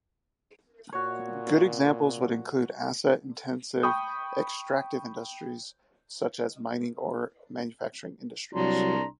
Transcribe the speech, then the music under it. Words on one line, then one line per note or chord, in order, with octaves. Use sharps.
Good examples would include asset-intensive extractive industries such as mining, or manufacturing industries.
A#2 F#4 C#5
G5 B5 C#6 D#6 G6
C2 F#3 D4 A#5 C6